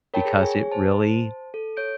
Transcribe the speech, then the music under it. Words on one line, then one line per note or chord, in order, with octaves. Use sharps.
"because it really"
A#4 C#5 G5 A5 B5
G#4
G#4 C#5 G#5
C5 A5
A4
C#5 G6 D7